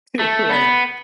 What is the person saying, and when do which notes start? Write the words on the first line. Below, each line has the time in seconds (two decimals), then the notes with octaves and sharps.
It's like,
0.19 A3
0.50 B3